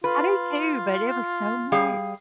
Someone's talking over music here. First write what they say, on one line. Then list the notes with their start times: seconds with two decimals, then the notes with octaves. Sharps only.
I do too, but it was so much.
0.04 F4 B4
1.72 G3 G#4 F5